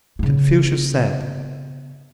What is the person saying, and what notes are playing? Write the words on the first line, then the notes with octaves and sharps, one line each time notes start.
Confucius said.
C#3 B3